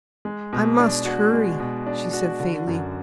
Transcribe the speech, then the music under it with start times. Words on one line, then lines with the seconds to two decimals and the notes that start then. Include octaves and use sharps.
"I must hurry," she said faintly.
0.25 G#3
0.53 B2
0.79 D4
1.05 F#4
1.33 G#3
1.60 B2
1.87 D4
2.13 F#4
2.40 D3
2.67 F#2